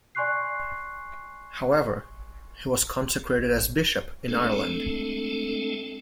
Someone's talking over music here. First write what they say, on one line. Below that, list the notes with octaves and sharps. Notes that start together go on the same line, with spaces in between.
However, he was consecrated as bishop in Ireland.
D5 G#5 C6 C#6 F#6 C7
G#3 A3 C4 D4 A4